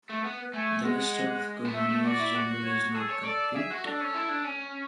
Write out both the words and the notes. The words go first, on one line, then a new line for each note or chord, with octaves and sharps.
The list of Governors-General is not complete.
A3
B3 F#5
A3 G#5
G#3 F#5
B3
A3 E5
A3
F#4 D5
E4
F#4
C#5
G#4 A4
C#5
A4 D5
G#4 E5
F#4
D4 A4
C#4
E4
D4
C#4